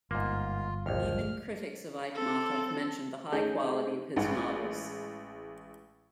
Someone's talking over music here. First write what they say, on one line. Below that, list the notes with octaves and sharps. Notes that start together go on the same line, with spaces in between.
Even critics of Aitmatov mentioned the high quality of his novels.
G1 G#2 A#3 F4
A#1 D#2 F6
C4 A4
A3 C#4 D#4 G#4 G6
A1 G#3 F#5